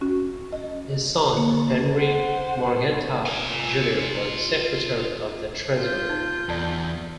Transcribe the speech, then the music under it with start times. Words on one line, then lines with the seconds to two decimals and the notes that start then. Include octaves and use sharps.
His son Henry Morgenthau Junior was a Secretary of the Treasury.
0.01 C#4 F#4
0.52 D#5
1.33 D3 A#3
1.96 C5 F#5
3.26 F4 G#5
5.76 F4 G6
6.09 D#4
6.49 E2 D5 A5